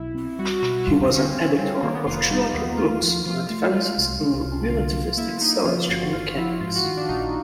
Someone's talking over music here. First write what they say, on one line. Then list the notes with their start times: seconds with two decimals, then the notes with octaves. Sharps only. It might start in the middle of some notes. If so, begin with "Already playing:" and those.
He was an editor of two other books on advances in relativistic celestial mechanics.
Already playing: B1 E4
0.15 C4
0.39 G3 F#4
0.59 B2 F#4
0.86 G3 F4
1.02 C4
1.11 D3 C#4
1.18 C4
1.35 C4
1.58 G3 C4
1.82 D#3 A#3
1.94 B3
2.06 F1 F4
2.18 F4
2.30 G3 D#4
2.54 D#2
2.78 A3 F4
3.02 F3
3.25 F3 F4
3.49 A3 F4
3.74 G#3 F4
3.98 C2
4.21 C2
4.45 C2
4.70 D3 F4
4.93 F#3
5.17 A#3 E4
5.41 A#3 D#4
5.64 F3 F4
5.89 G1 F#4
6.12 G1 F4
6.37 F3 E4
6.60 G#2 F4
6.75 F#4
6.85 D#3 F4
6.97 D4
7.08 A#1 D#4